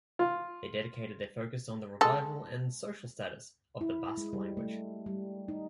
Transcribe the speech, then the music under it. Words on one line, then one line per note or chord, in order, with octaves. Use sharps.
They dedicated their focus on the revival and social status of the Basque language.
F4
G#3 A4
E4
G#3
G3
A3
G3
D#4